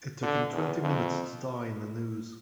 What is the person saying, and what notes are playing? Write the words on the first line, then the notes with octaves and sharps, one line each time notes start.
It took him twenty minutes to die in the noose.
D3
E2
F2